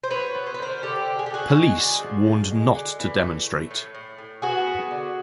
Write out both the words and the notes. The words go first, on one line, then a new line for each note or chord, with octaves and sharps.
Police warned not to demonstrate.
C5
F#3 B4 C#5
B3
C5
B4
D3 A#4 C5
D3 G4 A4
D3
G#4
G4
D3 F#4 G#4
G#3 F#4 G#4
D3
F3
F3
G#3
D3
E3
A3
A3
A2
A2
A2
B3 F#4 G#4
B3
D3